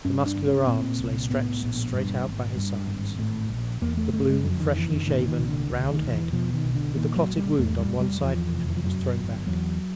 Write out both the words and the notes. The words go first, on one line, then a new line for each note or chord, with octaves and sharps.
The muscular arms lay stretched straight out by his sides; the blue, freshly shaven, round head with the clotted wound on one side of it was thrown back.
G2 C#4
D4
G1
C#4
A#2 C4
C2
A2 B3
A#1
G2
G#1
G2
G#1
A2
A#1
E2 A#3
A3
F#1 A3
G#3
F2 F#3
D#3
F#1 E3
D#3
A#2 D#3
D#3
C2
D3
D2
D#3
E1
E3
B2 F3
D#3
B1
D3
A#2 D#3
F#3
A#1
G3
E2 A3
G3
F1
G3
E2 F3
F1
E3
F3
F#2 F#3
G1
E2 F#3